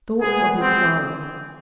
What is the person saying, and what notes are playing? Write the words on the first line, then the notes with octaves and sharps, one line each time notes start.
Thoughts of His Clara.
B2 G#3 B3 G#4
C4